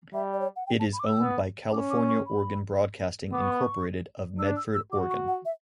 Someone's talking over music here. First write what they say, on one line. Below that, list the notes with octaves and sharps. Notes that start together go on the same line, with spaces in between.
It is owned by California Oregon Broadcasting, Incorporated of Medford, Oregon.
G3 E5
D5
C#5
F#5
G5
A5
B5
D6
E6
B3
C#4 D6
D6
C#6
B5
B3 D6
C#6
B5
C#6
D4 E6
E6
E6
F#4 D6
C#6
F#5
E5